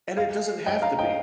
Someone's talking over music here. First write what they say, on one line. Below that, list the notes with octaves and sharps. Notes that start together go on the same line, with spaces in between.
and it doesn't have to be.
F5
D#5 G5
F5 A#5
D#5 G5